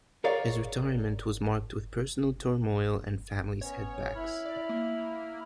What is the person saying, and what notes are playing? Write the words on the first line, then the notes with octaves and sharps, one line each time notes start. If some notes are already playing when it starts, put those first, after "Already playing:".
His retirement was marked with personal turmoil and family setbacks.
G#4 A#4 C#5 D5 F5
B3 C#4 C#5
E4 B5 F6
D5
A#3